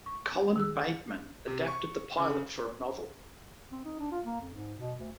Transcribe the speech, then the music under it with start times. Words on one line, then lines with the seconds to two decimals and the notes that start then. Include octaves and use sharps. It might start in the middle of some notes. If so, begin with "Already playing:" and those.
Colin Bateman adapted the pilot for a novel.
0.06 C#6
0.56 D#3 G#4 E6
1.48 C3
1.68 C#6
2.17 C#3
3.71 C4
3.85 D#4
3.99 D4
4.11 F4
4.26 A#3
4.41 F2
4.54 G#2
4.79 B2
5.00 D2